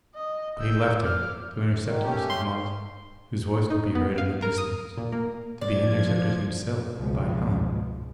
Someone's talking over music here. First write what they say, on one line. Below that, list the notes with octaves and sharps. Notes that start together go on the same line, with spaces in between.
But he left her to intercept Mrs. Munt, whose voice could be heard in the distance: to be intercepted himself by Helen.
D#5
E6 G6
D6 F6
G#2 D#3
A3 C#4 G4
C6
D#4
B3
F5
A#4
D#6
A#2
A#3
F3 D5 G#6
G#1 C#2 B2 F3 G#3